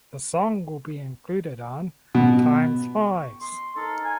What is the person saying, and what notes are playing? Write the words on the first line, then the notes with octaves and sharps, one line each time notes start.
The song will be included on "Time Flies".
B2
G5 C#6
D#5 C6
D#4 A4 A#4 C5
G#5